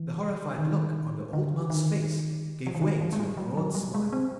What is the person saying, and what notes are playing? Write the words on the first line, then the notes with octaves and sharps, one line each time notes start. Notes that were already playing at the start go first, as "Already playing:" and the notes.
The horrified look on the old man's face gave way to a broad smile.
Already playing: E3
D#3
D3
D#3
F3
E3
D#3
E3
G#3
G3
F#3
F#3
G3
G#3
C4